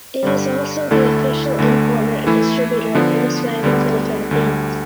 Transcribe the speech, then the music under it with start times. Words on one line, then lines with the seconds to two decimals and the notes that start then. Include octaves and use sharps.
It is also the official importer and distributor of Volkswagen for the Philippines.
0.23 G2 D3 G3
0.91 D2 D3 A3 E4 A4
1.59 D2 D3 A3
2.27 E3 A3 E4
2.95 D3 F3 B3 D4
3.63 D2 D3 G3 B3
4.31 D2 D3 G3